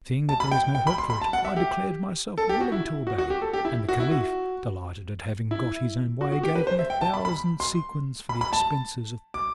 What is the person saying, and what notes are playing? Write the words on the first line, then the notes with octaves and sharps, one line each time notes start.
Seeing that there was no help for it, I declared myself willing to obey; and the Caliph, delighted at having got his own way, gave me a thousand sequins for the expenses of the voyage.
A5
B5
G5
G5
B5
C6
B5
A5
F#5
E5
G4
A4
G4
F#4
E4
F#4
F#4
G4
A4
G4
E4
F#4
E4
F#4
E4
F#4
F#4
G4
B4
C5
E5
G5
A5
B5
B5
C6
B5
B5
A5
D6